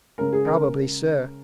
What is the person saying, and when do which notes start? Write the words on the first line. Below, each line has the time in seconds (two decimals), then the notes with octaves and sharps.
Probably so.
0.18 C#3 G#3 C#4 A#4
0.33 G#4
0.46 A#4